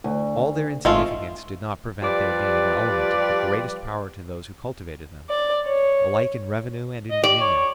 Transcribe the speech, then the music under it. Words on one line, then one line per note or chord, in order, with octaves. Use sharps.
All their insignificance did not prevent their being an element of the greatest power to those who cultivated them, alike in revenue and in dominion.
D2
G#1 G#3 A3 F4
F3 G3 G4 B4 D5
D5
C#5
D#5
G4 D5
C#5